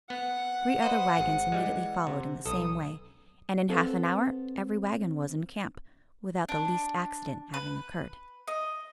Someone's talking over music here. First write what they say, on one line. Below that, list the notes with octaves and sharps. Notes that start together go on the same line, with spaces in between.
Three other wagons immediately followed in the same way, and in half an hour every wagon was in camp, without the least accident having occurred.
B3 F#5
B4 C5 D#5
G#1 G#4
E3 G3 G#3
C3
B1 A4 D#6
B3 C4 A4 C5
D4
B4
D#5